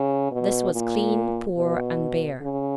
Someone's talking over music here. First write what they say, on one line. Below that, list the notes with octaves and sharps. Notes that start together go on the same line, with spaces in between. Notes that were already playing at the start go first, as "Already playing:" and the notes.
This was clean, poor, and bare.
Already playing: C#3
B2
A#2
B2
C#3